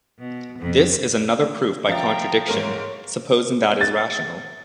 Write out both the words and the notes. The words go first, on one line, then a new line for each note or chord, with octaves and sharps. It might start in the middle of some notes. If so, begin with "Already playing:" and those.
This is another proof by contradiction, supposing that is rational.
B2
F2
F3 E5 F5 G5 A#5 A6
G#2 A#4 C#5
A6